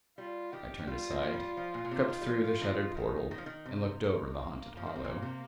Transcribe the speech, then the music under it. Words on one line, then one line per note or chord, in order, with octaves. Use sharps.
I turned aside, crept through the shattered portal and looked over the haunted hollow.
G3 F4
D#3 G4
G3 F4
F3 A#3
F3
G3
F3
A#2
A#2
C3
D#3
G3
F3
D#3
D#3 D#4
D#3 D#4
F3
D#3
C3
A#3
F3
D#3
C3
A#2
C3